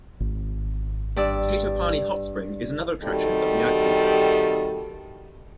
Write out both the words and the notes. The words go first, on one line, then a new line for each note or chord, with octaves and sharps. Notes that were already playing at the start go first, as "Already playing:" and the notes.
Tatopani Hot Spring is another attraction of Myagdi.
G#1
G2 D5 E6
C3 D#3 G3 F#4 A4